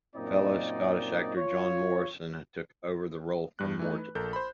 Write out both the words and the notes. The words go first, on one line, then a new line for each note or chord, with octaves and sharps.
Fellow Scottish actor Jon Morrison took over the role from Morton.
F#2 A#2 C4 D#4 D5 D#5
F4 C#5
G2 G3 F#6
E3 A3 D#4
B4
A#1 A4 A#4 G6
C5 B5